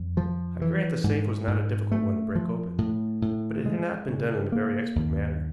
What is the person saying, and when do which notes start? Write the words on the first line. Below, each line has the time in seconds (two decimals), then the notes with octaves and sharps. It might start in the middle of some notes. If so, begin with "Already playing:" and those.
I grant the safe was not a difficult one to break open, but it had not been done in a very expert manner.
Already playing: F2
0.17 F3
0.62 E3
1.04 G#2
1.48 G#2
1.92 A3
2.35 F3
2.78 A2
3.22 A2
3.66 G#3
4.08 C#3
4.52 A#3
4.96 D#2